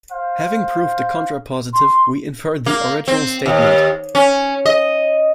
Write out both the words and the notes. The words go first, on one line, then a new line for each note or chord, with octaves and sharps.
Having proved the contrapositive, we infer the original statement.
C5 F5
C6
A#3
C4
D#2
C#4
D#5